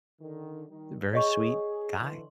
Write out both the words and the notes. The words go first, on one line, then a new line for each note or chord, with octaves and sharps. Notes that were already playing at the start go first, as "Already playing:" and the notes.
very sweet guy.
D3 D#3
D#3 G3 D#4
G#4 C#5 D#5 C#6
D3 E3 C6